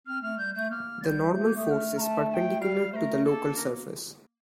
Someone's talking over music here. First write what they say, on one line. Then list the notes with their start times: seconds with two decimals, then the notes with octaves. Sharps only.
The normal force is perpendicular to the local surface.
0.07 C4 F6
0.22 A3 F6
0.38 G3 G6
0.54 A3 G6
0.70 A#3 F6
1.02 G3 G6 A6
1.33 A3 G6
1.44 A#3
1.55 A3 D#6
1.65 G6
1.70 F6
1.97 A3 A5 A#5
2.29 A5
2.34 G5
2.61 G3 F5
2.92 A3 A#4 C5
3.24 A#3 A4
3.56 A#4